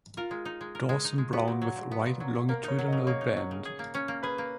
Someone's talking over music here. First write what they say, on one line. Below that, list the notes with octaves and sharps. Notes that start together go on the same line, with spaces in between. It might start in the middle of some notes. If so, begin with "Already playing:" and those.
Dorsum brown with white longitudinal band.
F4 A#4
G#3
D#4
G#3
A#4
G#3
D#4
G#3
B3 F#4
A#2
F#3
A#2
B3
A#2
F#3
A#2
A#3 A#4
D#4 C#5
F#3
C#3 D#5
A#3 C#5
D#4
F#3
C#3
G#4
A#3
C#4
A#3
G#4 B4
A#3